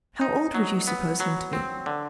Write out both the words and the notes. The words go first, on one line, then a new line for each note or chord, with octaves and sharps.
"How old would you suppose him to be?"
D#4
F#3
B3
F#3
C4
D3